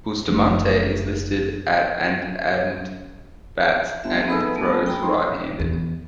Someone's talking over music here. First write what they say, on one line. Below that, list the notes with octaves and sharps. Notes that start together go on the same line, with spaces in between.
Bustamante is listed at and and bats and throws right handed.
F#1 F3 A3
G1 E5
B1 A#3 B3 G#4 A4 B4 B5
G1 A3 A#3
G5 A#5
G#2 C6
E2